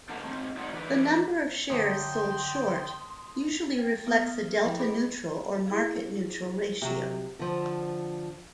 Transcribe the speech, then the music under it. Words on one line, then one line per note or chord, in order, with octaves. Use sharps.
The number of shares sold short usually reflects a delta-neutral or market-neutral ratio.
B2 D3 F#5 A5 A#5
G#2 C4 C#4
C4 D#4 D5 F#5
E3 D#4 B4 D5
F#2 D3 G5 A5 C6 D6 D#6
G5 A6
B3 D#6 F6 G7
F3 E4 G5 B5 C6 D6
G#4 A4 D#5 B5 C6 D6
E4 G#4 F5
C3 F#3
D3 F3